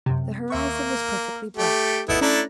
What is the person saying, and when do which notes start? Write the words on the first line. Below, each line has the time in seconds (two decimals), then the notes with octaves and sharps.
The horizon was perfectly black.
0.06 F#2 C3
0.50 D#2 A#3 E5 C#6
1.57 A3 G4
2.09 G#1 E2 A3 B3 E4 D#5
2.21 A3 C#4 D4 E4 A#5